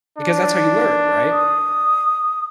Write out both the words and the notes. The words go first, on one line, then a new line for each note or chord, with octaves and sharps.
Because that's how you learn, right,
D4
D#6